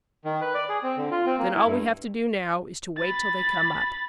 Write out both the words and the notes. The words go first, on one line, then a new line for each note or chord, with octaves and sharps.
"Then all we have to do now is to wait till they come up."
D#3
B4
D5
G#4
C4
D3
F4
C4
A#3
E4
G2
B5 A6